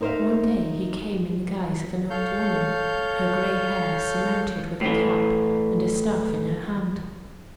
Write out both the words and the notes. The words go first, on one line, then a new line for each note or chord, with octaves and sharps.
One day he came in the guise of an old woman, her gray hair surmounted with a cap, and a staff in her hand.
D#4 A#4 C5 C#5 E5 F5
A4 C#5 F5 G6
A2 E3